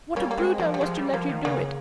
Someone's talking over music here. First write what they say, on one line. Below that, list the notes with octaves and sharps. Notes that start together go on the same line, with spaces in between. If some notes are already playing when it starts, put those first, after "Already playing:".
What a brute I was to let you do it!
G3 A#3 C#4
A#3
G#3 C4
F3 A#3
G3
F3 G#3
G3
F3 A#3
D#3
C#3 A#3 C#4